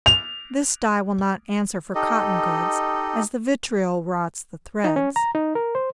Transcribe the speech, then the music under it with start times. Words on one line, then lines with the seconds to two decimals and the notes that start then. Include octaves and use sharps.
This dye will not answer for cotton goods, as the vitriol rots the threads.
0.06 F7
1.95 D#4 G4 A4 D#5
4.84 D#4
4.96 C#4
5.16 A#5
5.35 D#4
5.55 A#4
5.75 C5